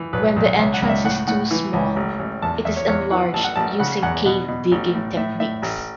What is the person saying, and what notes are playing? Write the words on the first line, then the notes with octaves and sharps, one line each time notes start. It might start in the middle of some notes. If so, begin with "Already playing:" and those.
When the entrance is too small, it is enlarged using cave digging techniques.
Already playing: E3
B1 B4
B1
C#2 E5
F#5
C#2
E5
A2 F#5
A2 F#5
E3
C#2
A1
A1
E2 A5
E2 E5
C#5
E2 C#5
E3 F#5
A1 A5
F#5
A1 A5
C#3 F#5
E2 F#5
B2 F#5
B2
A1
A2
A2 E5
A2 E5
A1